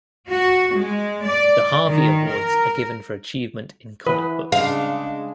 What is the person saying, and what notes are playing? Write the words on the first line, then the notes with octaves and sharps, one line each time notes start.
The Harvey Awards are given for achievement in comic books.
F#4
G#3
D5
D#3
A#4
E3 B4
C#3 G#3 D4 F5